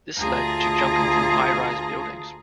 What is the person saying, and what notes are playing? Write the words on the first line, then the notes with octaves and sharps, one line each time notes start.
This led to jumping from high rise buildings.
D2 F4 G#4 A5 A#5 A#6